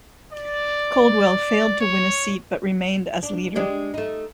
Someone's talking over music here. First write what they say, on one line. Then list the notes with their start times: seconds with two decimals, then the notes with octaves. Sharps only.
Coldwell failed to win a seat but remained as leader.
0.33 D5
1.80 C#5
3.23 D4
3.56 G#3 D4 G4
3.94 A3 D#4